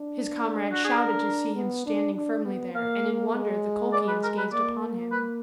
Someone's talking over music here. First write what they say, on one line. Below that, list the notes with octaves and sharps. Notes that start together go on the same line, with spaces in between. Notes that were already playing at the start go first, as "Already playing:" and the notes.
His comrades shouted to see him standing firmly there, and in wonder the Colchians gazed upon him.
Already playing: D4
F#4
G#4
A#4
B3
D4
D4
B3
A#3 F5
G#3
D5
B4
A#4
B4
A#3 D5
B4